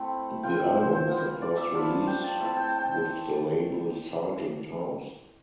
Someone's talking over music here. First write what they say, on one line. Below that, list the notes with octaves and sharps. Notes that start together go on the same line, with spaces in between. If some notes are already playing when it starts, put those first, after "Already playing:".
The album is their first release with the label Sargent House.
Already playing: A3 C4 E4 B5
F3 C4 F4 G5
E5
C5
C5
B3 F4
D5
E5
F3 A3 D4 F4 B5
A5
G5
A5
A3 C4 E4 A5
G5
A5
G5